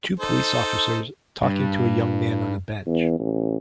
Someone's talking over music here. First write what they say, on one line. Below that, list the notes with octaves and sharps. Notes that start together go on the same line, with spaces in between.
Two police officers talking to young man on a bench.
D#4 A4 C5
G2
E2
A1